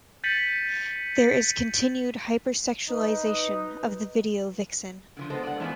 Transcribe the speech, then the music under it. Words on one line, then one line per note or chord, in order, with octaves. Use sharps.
There is continued hyper-sexualization of the video vixen.
G6 A6 B6 C#7 D#7 F#7
D#4 B4
D3 E3 F3
G#3 B3 A4 C5
D5 F#5
E3 F3 G#3 B3 A5